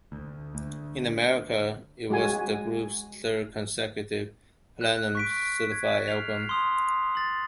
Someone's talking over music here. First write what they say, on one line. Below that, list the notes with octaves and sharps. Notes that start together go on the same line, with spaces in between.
In America, it was the group's third consecutive Platinum-certified album.
D2
D2
G#3 F#4 G#5
F#6
C#6 B6 D7
G#6
F6 C7 F7
C6 D#6 F7
A6 F#7